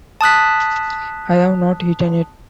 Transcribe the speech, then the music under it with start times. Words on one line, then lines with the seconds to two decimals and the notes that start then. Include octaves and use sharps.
I have not eaten yet.
0.21 A5 D#6 F#6 B6